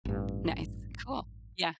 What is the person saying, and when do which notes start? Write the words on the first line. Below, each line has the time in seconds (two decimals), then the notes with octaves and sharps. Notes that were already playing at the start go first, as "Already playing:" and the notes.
Nice, cool, yeah,
0.05 A1 G2